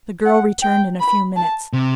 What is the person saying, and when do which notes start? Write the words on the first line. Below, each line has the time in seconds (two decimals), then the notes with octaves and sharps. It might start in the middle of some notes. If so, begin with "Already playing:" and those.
The girl returned in a few minutes.
0.25 F#5
0.62 G5
1.00 B5
1.36 A5
1.73 C3